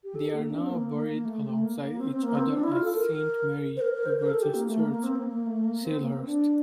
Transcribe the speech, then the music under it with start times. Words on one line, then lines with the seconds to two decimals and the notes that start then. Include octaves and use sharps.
They are now buried alongside each other at Saint Mary the Virgin's Church, Salehurst.
0.04 G4
0.15 A4
0.34 A#3
0.50 D4
0.61 C4
0.70 A#3
0.88 A#3
1.07 A#3
1.25 A3
1.43 A3
1.62 A#3
1.80 A#3
1.98 C4
2.10 C4
2.23 A#3
2.35 C4
2.53 D4
2.64 E4
2.72 F4
2.84 A4
2.96 A#4
3.77 C5
3.81 A#4
3.94 A#4
4.06 C5
4.18 A#4
4.30 A4
4.42 G4
4.55 A#3
4.67 A3
4.79 A#3
4.92 A#3
5.03 C4
5.16 A#3
5.28 A#3
5.46 A3
5.64 A#3
5.82 C4
6.01 A#3
6.13 C4
6.25 D4